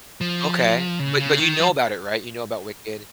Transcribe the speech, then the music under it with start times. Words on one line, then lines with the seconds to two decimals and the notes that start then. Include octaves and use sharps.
Okay. But but you know about it, right? You know about Wicked.
0.21 F3
0.99 C#3
1.20 C#3
1.39 D#3
1.59 F3